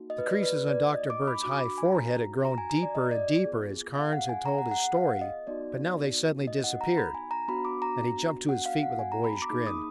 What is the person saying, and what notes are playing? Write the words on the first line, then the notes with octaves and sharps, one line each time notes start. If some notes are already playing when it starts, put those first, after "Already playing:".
The creases on Dr. Bird's high forehead had grown deeper and deeper as Carnes had told his story, but now they suddenly disappeared, and he jumped to his feet with a boyish grin.
Already playing: A#3 D#4 F#4
D#5
B4
D5
B4
D5
D#5
D6
B5
D4 F#4 D6
B5
G#5
A#5
A#5
G#5
A#5
D5
D#5
D5
B3 F4 G#4
F5
F#5
G#5
A#5
F#5
F#5
F#5
F5
D#5
B3 D#4 F#4 D5
D#5
F#5
A#5
B5
G#5
A#5
B3 D4 F#4 B5
D6
A#5
F#5
F5
F#5
G#5
A#5
B5
D6
A#3 D#4 G#4 B5
D#6